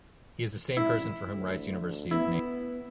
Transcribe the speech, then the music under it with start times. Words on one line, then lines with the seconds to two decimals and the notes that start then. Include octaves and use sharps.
He is the same person for whom Rice University is named.
0.77 C2 E4
1.32 D2
1.82 D2
2.11 B3 E4